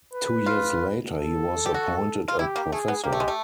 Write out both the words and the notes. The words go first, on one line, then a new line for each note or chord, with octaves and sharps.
Two years later he was appointed a professor.
B4
F4
A4
G4
F#4
F4
E4 G4
A#3
A3 G#4
B3
A#3 G4
A3
G#3
A3